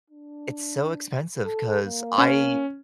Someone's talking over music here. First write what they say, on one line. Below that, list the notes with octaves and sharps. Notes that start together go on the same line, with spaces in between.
it's so expensive 'cause I
D4
A4
A#3
C#4